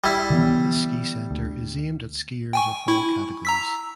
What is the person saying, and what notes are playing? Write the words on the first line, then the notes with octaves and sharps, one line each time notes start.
This ski center is aimed at skiers of all categories.
G3 E4
D3 E3 B3
D2
G5 G#5 C#6
E4 C#6
A#5 E6 B6